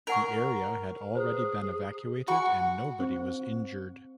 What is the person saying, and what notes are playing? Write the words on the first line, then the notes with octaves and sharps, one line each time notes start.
The area had already been evacuated and nobody was injured.
D#4 A#4 F#5 C#6
G#4 B4 C5
F#4 F#5 G#5 B5 C#6
C4